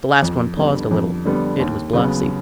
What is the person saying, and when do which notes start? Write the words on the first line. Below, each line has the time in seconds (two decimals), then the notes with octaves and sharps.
The last one paused a little; it was Blasi.
0.23 F2
0.57 D3 G3 B3
0.91 F2
1.25 D3 G3 B3
1.60 D#2
1.93 C#3 F#3 B3